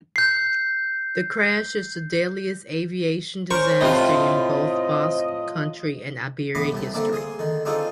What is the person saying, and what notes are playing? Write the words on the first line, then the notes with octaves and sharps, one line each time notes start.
The crash is the deadliest aviation disaster in both Basque Country and Iberia history.
G6 C7
C#4 A#4 C5 C#6
A2 C3 D#4 F4
D#5
A2 E3 B3 B5 D6
C2 C3 A5
D3 A3 A#3 C4 D4
G#4 G#5 C6
D3 D#3
C4 D4 D#4 F4 G#4 A4